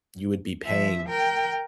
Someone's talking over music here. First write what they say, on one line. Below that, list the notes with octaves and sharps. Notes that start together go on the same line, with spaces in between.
you would be paying,
F3 E5
A#4 G5